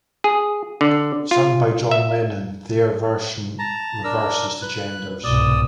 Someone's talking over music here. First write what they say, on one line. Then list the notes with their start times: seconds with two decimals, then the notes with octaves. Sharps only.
Sung by John Lennon, their version reverses the genders.
0.24 G#4
0.81 D3
1.31 F4
1.91 E5
3.59 A5 A#5
4.04 D4 A#4 E6
4.62 B4 F#6
5.24 C2 G#2 B2 D5 D#6 E6